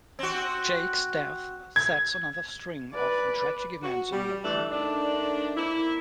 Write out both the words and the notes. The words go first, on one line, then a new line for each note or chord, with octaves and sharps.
Jake's death sets another string of tragic events in motion.
C4 F#4
G#6
B4 D5
F#4
G3
D3 E3 G3 A3 D4
D#3 A3 D4
A#3 C4 E4